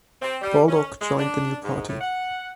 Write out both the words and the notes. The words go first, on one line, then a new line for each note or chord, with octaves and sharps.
Baldock joined the new party.
C4
G3
C#4
G#3
D4
G#2
A2
F#5